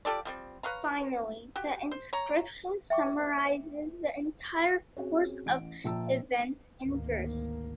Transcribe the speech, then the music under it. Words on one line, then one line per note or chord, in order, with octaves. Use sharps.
Finally, the inscription summarizes the entire course of events in verse.
F4 G4 A4 D5
F3 G3 C4
B4 C#5 F5 A#5
F#4 G4
C5
C#5 A#5
E5 G5 C#6 D6
C4 C#4 F#4 G#4 C#5
A1 D7
A#1 A#2 G5 A5 A#5 E6
G#1 D2 D#3 A#3